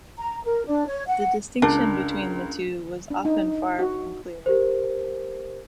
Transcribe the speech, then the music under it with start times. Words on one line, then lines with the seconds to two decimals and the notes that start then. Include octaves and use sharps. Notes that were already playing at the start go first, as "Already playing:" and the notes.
The distinction between the two was often far from clear.
0.18 A#5
0.45 A#4
0.66 D4
0.86 C#5
1.07 F#5
1.62 C#2 D4 A#4
3.10 D4
3.25 D#4
3.79 F#4
4.46 G4 A#4 C5